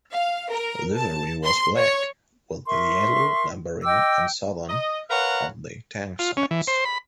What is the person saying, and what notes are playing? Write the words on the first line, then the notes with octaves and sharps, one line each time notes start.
Livery was black, with yellow numbering and 'Southern' on the tank sides.
F5
A#4
A5
C6
C#5
A#4 E5 C6 C#6
D#5 G5 D6 E6
D#5
A#4 B4 C#5 F5 F#5 A#5
F4
C#4
E3
C5
B5